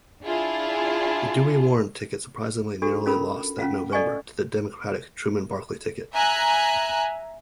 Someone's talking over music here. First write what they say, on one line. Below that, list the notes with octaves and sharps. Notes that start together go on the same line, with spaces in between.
The Dewey-Warren ticket surprisingly narrowly lost that November, to the Democratic Truman-Barkley ticket.
D4 E4 F4 G#4 A5
D4 F#4 G4 A4
C#4 F4 A4 A#4 A#5 B5
C#4 F4 F5 F#5
A4 D5 D#5 F#5 G#5 C#6
E5 G#5 A#5 F#6